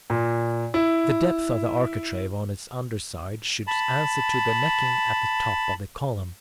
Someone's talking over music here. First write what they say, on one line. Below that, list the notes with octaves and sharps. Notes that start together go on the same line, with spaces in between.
The depth of the architrave on its under side should answer to the necking at the top of the column.
A#2
E4
A5 B5